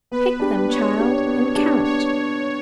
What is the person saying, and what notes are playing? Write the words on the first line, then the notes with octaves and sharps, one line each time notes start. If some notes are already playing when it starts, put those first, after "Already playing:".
Pick them, child, and count.
B3 B4
D4 G4
B3 C#5
D4 G4
B3
D4 G4
B3 C#5